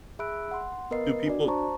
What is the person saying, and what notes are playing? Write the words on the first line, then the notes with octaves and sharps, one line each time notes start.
do people
G#4 E5 B5 E6 F#6 D7
F#5 C6
B3 A#4 B4 D#5 C7
D4 F#4 D5
C5 A5 A#5 C#6